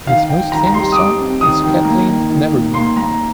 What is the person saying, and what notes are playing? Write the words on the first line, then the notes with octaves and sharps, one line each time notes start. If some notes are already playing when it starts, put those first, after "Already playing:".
His most famous song is "Kathleen Mavourneen".
D#3 F5
D#3 G5
D#3 A#5
A#5
G3 C6
D#6
G3 D6
C4
D#3 D#6
D#3
A#3
D#3
D#3
A#3
A#3 C6
A#3 A#5